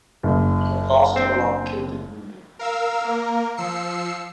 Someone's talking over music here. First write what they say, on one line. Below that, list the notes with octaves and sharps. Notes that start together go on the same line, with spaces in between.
We have lost a lot killed and wounded.
F#1
C4 D4 C5
A#4 F5 E6
A#3 A#4
F3 E6 C7 C#7